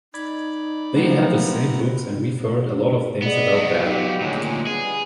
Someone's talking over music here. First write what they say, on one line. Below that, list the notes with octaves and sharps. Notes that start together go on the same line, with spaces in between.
They had the same books and we've heard a lot of things about that.
D#4 D5 B5 G#6
C3 F3 F#3 A3 B3 E4 A#5
B3 G#4 D5 D#5
F#3 B3
D#4 F4 G4
D2 A#2 D#3 F#3 G#3
G2 B3 G#4